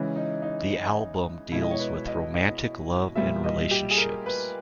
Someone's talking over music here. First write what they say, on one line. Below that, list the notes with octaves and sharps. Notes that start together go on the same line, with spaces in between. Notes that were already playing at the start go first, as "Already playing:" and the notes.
The album deals with romantic love and relationships.
Already playing: C#3 E3 G#3 C#4
D#4
D#4
B2 G#3 E4
D#5
C#5
B4
D#5
D#5
A#2 G3 E5
D#5
G4
G#4
A#4
B4